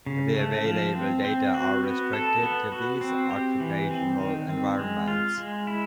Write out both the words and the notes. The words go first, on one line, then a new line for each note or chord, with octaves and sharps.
The available data are restricted to these occupational environments.
C#3
A3
F3
C4
C4
F#4
B3
A4
B3
F#4
C4
G4
E3
C4
D#3
C4
G#3
F4
G#3
E4